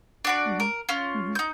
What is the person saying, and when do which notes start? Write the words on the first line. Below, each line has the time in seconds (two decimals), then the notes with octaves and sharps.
Mhm, mhm.
0.25 D4 F#4 D5
0.60 A#4
0.89 C#4 F4
1.35 D#4 G6